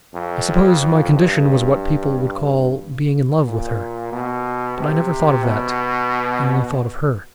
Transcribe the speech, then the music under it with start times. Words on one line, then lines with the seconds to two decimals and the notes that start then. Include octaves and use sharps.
I suppose my condition was what people would call being in love with her; but I never thought of that; I only thought of her.
0.14 F2
0.80 F2
1.14 G2
3.45 A#2
4.12 B2
4.78 C3
5.44 B2